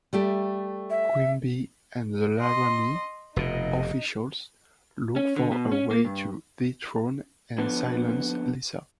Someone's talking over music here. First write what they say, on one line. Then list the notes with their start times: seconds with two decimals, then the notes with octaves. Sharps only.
Quimby and the Laramie officials look for a way to dethrone and silence Lisa.
0.13 G3 A3 G4
0.90 E5
2.39 D#5 C6
3.36 F1 B2 D#4
5.16 C#4
5.36 D3
5.52 B2
5.72 C#4
5.91 A#3
6.05 G2
7.58 F2 D3 B3